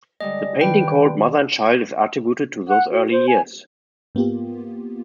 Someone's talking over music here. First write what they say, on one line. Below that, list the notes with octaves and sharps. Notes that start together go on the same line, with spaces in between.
The painting called "Mother and Child" is attributed to those early years.
D3 G3 G#3 D#5
G2 D#3 C4 B4 G5 D6
F#5
F#4
C5
G#5
G#2 A#3 B3 F4 G4